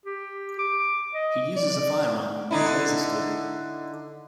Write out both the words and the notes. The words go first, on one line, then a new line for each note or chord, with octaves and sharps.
He uses a firearm, with laser scope.
G4
D6
D#5
D5
D3 D#4 E4